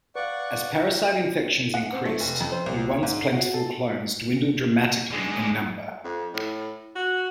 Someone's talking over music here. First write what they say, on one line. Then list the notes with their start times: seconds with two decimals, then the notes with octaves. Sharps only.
As parasite infections increased, the once plentiful clones dwindled dramatically in number.
0.15 B4 D5 F5 F#5 C#6
1.74 F#5
1.92 C4
2.05 A3
2.20 F1
2.40 F2
2.52 C5
2.66 C2
2.91 C#5
3.03 G#2
3.21 C7
3.32 F#4
3.54 A4
5.11 D3 G#3
6.04 F2
6.34 A2
6.95 F#4